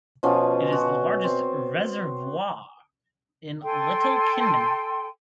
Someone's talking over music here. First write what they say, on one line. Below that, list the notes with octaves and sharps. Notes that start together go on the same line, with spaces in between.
It is the largest reservoir in Little Kinmen.
B2 F3 C#4
F#4
C4
A4 G5 G#5 C6